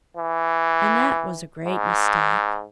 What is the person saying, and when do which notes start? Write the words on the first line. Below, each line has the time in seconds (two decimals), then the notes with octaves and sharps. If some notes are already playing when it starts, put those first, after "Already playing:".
And that was a great mistake.
0.17 E3
1.65 G#2